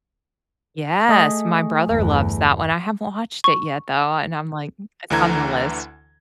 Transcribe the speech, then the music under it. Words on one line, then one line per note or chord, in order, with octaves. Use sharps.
Yes, my brother loves that one, I haven't watched it yet, though, and I'm like, m it's on the list.
A3 G#4 D#5
G1 E2
C#6
D2 D3 E3 A#5 G#6